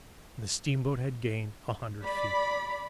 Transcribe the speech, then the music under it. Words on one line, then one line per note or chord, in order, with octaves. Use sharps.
And the steamboat had gained a hundred feet.
D5 B5